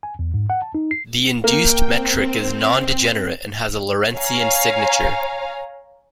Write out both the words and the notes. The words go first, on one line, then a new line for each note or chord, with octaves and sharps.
The induced metric is nondegenerate and has Lorentzian signature.
G#5
E2
G#2
F#5
A5
D#4
C7
A#3 G5
C4
C#5 F5 G#5 A#5